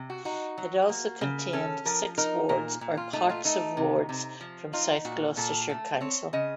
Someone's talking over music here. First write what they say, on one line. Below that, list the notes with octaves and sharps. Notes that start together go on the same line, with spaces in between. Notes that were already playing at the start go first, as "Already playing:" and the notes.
It also contained six wards or parts of wards from South Gloucestershire Council.
Already playing: C3
F#4
D#4 F#4
F#3
A#3
C#3
C#4 A4
F3 A#4
D#4 A#4
A#2 A#4
A#2
F4
A3 D#4
F4
A3 D#4
C3
C3
F3
D#4 F4
A#2 F#4
A#2 A4
A3
C4 C#5
C#3 D#5